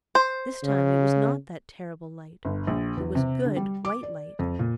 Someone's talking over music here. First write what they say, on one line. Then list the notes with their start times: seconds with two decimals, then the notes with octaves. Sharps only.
This time it was not that terrible light; it was good, white light.
0.15 C5
0.63 C#3
2.45 G1
2.67 A#1
2.97 E2
3.15 C3
3.45 D3
3.56 G3
3.85 D6
4.03 D5
4.39 F2
4.59 A#2